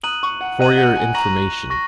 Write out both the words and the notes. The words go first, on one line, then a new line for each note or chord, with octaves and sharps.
For your information.
A#5 D#6 F#6 D#7 F#7
C#6
F#5
D#5 A#5 F#6 D#7 F#7
F#5
G#5
A#5 C#6 A#6 D#7 F#7
C#6 A#6